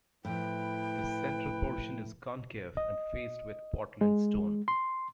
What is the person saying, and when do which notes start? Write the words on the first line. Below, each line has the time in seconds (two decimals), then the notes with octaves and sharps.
The central portion is concave and faced with Portland stone.
0.25 A2 F3 E4 B4 G5
2.77 D#5
4.01 G#3
4.68 C6